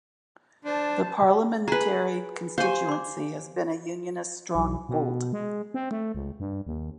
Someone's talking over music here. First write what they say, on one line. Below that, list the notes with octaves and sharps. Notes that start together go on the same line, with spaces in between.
The parliamentary constituency has been a Unionist stronghold.
D4 C5 A5
G#4 B4 A#5
G4 G#4 C5 F5 G#5
C6 D6
B1
B2
G#3
C4
A3
C#2
G2
D#2